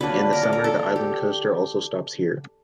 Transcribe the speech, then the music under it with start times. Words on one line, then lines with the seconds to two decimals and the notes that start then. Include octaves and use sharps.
In the summer, the Island Coaster also stops here.
0.01 D3 F#3 A#3 D4 B4
0.33 A#4
0.43 A4
0.53 A#4
0.64 A4
0.96 G4